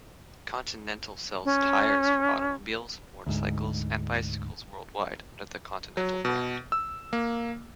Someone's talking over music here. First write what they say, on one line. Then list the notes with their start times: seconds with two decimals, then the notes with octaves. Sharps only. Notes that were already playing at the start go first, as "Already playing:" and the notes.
Continental sells tyres for automobiles, motorcycles, and bicycles worldwide under the Continental brand.
1.45 C#4
3.26 D2 G#2
5.97 F#3
6.25 B2
6.72 E6
7.13 A#3